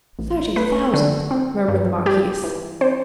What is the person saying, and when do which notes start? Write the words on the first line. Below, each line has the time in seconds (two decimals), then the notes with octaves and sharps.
"Thirty thousand," murmured the marquise.
0.19 A1
0.56 A3 B4
0.94 D3
1.31 C4
1.68 G2
2.06 G3 G4
2.44 E3
2.81 C4 C5